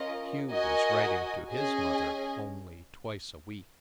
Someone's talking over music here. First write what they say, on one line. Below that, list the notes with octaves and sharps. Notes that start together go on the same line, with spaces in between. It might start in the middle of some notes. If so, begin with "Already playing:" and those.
Hugh was writing to his mother only twice a week.
Already playing: C#4 F4 A#4 D#5
F#4 A#4 D#5 G#5
C#4 G#4 D#5 G#5